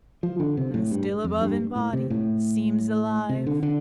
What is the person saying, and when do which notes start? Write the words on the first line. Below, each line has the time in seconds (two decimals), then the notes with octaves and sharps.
And still above in body seems alive!
0.23 F3
0.40 D3
0.57 C3
0.74 A2
0.91 G2
1.24 F2
1.41 G2
1.76 A2
1.93 C3
2.10 A2
3.29 C3
3.47 D3
3.63 D3